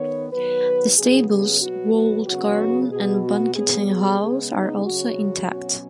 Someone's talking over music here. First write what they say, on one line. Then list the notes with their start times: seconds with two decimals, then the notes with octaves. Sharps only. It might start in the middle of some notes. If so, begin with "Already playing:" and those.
The stables, walled garden and Banqueting House are also intact.
Already playing: D#3 B3 C#5
0.32 D#3 F#3 B3 B4
0.97 C#3 F#3 B3 G#4
1.29 G#4
1.61 B2 F#3 B3 F#4
1.94 F#4
2.26 C#3 F#3 B3 F#4
2.90 B2 B3 G#4
3.23 F#4
3.55 B2 F#3 B3 G#4
3.88 G#4
4.19 C#3 G#3 B3
4.52 D#4
4.84 C#3 F#3 C#4 F#4
5.48 B2 F#3 C#4 F#4